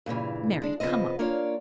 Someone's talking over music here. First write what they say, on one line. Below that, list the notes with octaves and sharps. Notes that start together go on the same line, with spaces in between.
Marry, come up!
G2 A#2 C#3 E3
G#3 D4
C#3 F3 B3 C4 D#5
A#3 D4 F4 C#5 D5